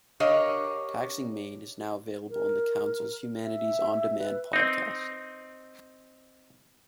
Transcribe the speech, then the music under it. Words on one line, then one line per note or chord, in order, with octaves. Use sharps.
"Taxing Maine" is now available on the Council's Humanities on Demand podcast.
D4 G4 A#4 C#5 D#5 F5
A#4
E5
B4
C4 D#4